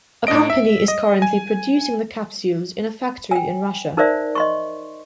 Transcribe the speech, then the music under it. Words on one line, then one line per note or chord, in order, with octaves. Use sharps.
A company is currently producing the capsules in a factory in Russia.
A2 D4 D#4 D#5 D7
E5
D#5
G#5
G5 G#5
D#4 A#4 C5 D5 E5
D#5 C6 C#6